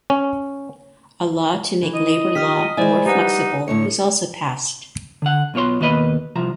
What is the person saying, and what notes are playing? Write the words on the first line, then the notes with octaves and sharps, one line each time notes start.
A law to make labour law more flexible was also passed.
C#4
E3
D#5
F4 G4 D#6 F6 B6
G#3 E4 C5 D5 G#5
G3 D#4 G4 B4 F#5
A2 D3 C#5 C#7
D3 F#5
B1 B2 F4 C#5 C6
D#2 B2 A#3 B4 D#5 B5
C2 F3 A#5